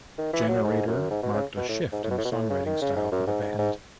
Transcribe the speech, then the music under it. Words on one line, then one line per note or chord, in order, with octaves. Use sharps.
"Generator" marked a shift in songwriting-style for the band.
D#3
E3
F#3
G#2
F#2
G#2
B2
C#3
B2
A2
G#2
A2
B2
A2
B2
A2
C#3
D#3
C#3
G#2
F#2
G#2
G#2
G#2